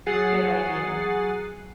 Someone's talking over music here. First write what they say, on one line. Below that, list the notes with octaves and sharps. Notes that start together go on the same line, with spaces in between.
Good idea.
F#3 G#4 F#5 D#6 A6 C7